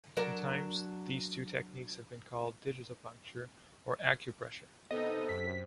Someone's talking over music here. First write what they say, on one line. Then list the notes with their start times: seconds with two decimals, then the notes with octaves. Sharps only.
Sometimes, these two techniques have been called digitopuncture or acupressure.
0.17 F#3 D4 A#4
4.91 C3 B3 D4 D#4 G4 A4 D#5
5.29 F#2 B6